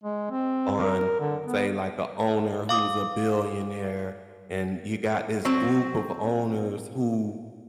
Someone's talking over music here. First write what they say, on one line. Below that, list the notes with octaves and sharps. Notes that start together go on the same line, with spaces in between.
on, say, like, a owner who's a billionaire, and you got this group of owners who
G#3
C4
A#4
D3
B3
F5 D6 D#6
F#3 C4